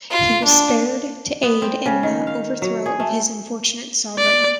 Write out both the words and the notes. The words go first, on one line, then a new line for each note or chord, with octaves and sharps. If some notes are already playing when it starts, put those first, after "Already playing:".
He was spared to aid in the overthrow of his unfortunate sovereign.
F4
D4
B3
C4
C#3
D#3
F5
F#3
G#4
A3
D5